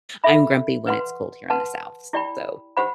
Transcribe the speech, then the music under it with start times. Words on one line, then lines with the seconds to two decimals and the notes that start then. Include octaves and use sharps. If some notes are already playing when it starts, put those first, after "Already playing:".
I'm grumpy when it's cold here in the South, s so
0.24 A4 E5 B5
0.87 B4 F#5 C6
1.50 B4 F#5 A5 C6
2.13 E4 G4 D5 G5 B5
2.77 G4 C5 F#5 B5